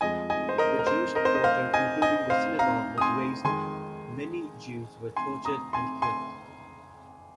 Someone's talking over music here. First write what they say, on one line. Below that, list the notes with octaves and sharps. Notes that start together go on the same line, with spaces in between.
The Jewish quarter including the synagogue was razed, many Jews were tortured and killed.
F2 F3 G#3 D#5 G#5
D#5 G#5
C5
A#4 D#5
A#4
C5
A#4 D#5
C5
D#5
C5 F5
D#5 G#5
D#5 G#5
C5 F5
F5 A#5
D#6
G#5 C6
F2 D#3 G#3 G#5 C6
G#5 C6
A#5 D#6
G#5 C6
G#5 C6